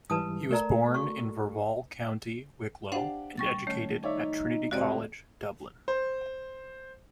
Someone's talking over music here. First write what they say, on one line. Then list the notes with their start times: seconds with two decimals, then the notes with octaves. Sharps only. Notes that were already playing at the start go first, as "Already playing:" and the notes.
He was born in Verval, County Wicklow, and educated at Trinity College, Dublin.
0.10 G#2 E3 G3 B4 A5 D#6
0.51 A3 A4 A#4 D5 A#5
0.94 F#4 C#6
2.92 D4 G4 C5 F5 F#5
3.37 G3 C#6 A6
3.67 D#3 A3 C#4
4.04 D#4 C#5 D5 E5
4.71 C#2 C3 C4 F#4 D5 D#5
5.88 C5